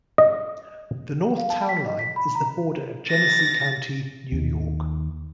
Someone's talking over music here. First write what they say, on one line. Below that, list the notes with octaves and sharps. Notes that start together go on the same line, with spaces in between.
The north town line is the border of Genesee County, New York.
D#5
F5
A5
B6
D#5
B6
B5
A#5
A6 A#6
D#2 D#3